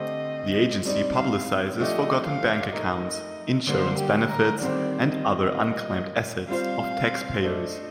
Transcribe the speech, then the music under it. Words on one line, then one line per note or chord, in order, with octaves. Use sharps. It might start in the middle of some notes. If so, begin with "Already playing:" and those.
The agency publicizes forgotten bank accounts, insurance benefits and other unclaimed assets of taxpayers.
Already playing: D3 A3 C4 G4 C5 D#5
G3 C4 D#4 D5
F5
F3 A3 D4 G4 D#5
F5
A3 D#4 A#4 D#5
D3 G3 A#3 C5
G4
A#4
D#3 G3 C4 G4 C5 D5
D#5
A#2 G3 A#3
G3 C4 F4 C5 F5
A3 D4 A4 C5 D#5